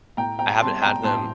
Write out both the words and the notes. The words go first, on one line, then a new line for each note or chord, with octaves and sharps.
I haven't had them
A2 G5 A#5
G5 A#5
G3 C4 A5 C6
G5 A#5
A2 A5 C6